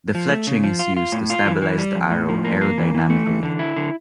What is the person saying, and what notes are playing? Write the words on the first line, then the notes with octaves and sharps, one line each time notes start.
The fletching is used to stabilize the arrow aerodynamically.
F3
A3
C#3
F3
F4
F4
A2
F4
E3
E3
G3
F2
A2
F3
A#3
A#3
E3
E3
A3
E3
D3
E4
D3